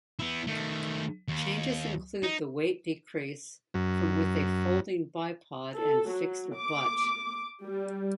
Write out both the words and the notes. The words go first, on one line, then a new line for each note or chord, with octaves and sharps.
Changes include the weight decrease from with a folding bipod and fixed butt.
B3 E4
D#3 A3
D#2
D#4
F#2
A4
F#3
D6
G3